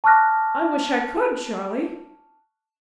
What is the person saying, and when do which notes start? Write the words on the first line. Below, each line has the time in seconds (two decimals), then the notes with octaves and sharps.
'I wish I could, Charley!
0.04 A5 C#6 D6 F6 F#6 A#6